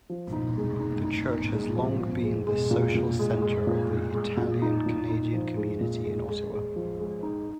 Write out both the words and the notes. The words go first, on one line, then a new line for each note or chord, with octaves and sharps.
The church has long been the social centre of the Italian-Canadian community in Ottawa.
F3
D#4
G#3
D#4
D#4
D#4
G#3
F3
F3
G#3
G#3
A#2
A#2
G#3
G#3
A#2
G#3
G#3
A#2
D#4
A#2
D#4
F3
G#3
A#2
G#3
G#3
G#3
F3
G#3
D#4